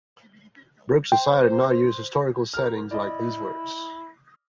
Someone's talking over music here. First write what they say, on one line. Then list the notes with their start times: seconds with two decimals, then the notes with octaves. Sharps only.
Brooks decided not to use historical settings like these works.
1.12 C5 G5
2.54 A#4 F6
2.91 E4 D5 D#5